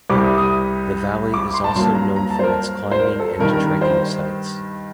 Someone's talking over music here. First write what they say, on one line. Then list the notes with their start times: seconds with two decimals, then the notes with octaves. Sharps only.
The valley is also known for its climbing and trekking sites.
0.10 C2 C3 G3 D6
0.24 D#6
0.38 D#6
1.34 D6
1.54 C6
1.64 A5
1.75 G2 F#3 A#3 C6
1.95 A#5
2.16 A#5
2.30 A5
2.39 C5
2.43 A#4
2.91 C5
2.99 A#4
3.19 A4
3.39 G2 D#3 G3 A#4
3.54 A#4
3.68 A#4
3.81 C5